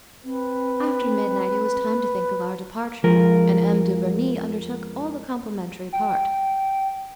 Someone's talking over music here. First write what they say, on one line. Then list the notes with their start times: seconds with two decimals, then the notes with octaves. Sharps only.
After midnight it was time to think of our departure, and M. de Bernis undertook all the complimentary part.
0.25 C4 B4
3.04 F2 F3 G#3 F4 A#4
5.93 G5